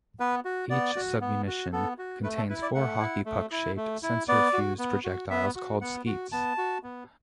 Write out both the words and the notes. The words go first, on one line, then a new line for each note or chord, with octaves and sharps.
Each submunition contains four hockey-puck-shaped sensor-fused projectiles called Skeets.
B3 B4
F#4
B3 D5
F#4
B3
F#4
B3 A4
F#4
A3 B4
A4
E4 B4
D5
A3 F#5
E4
A3
E4
A3
E4
B3 D5
F#4
B3
F#4
B3 E5
F#4
B3 F#5
F#4
B3 A5
F#4
B3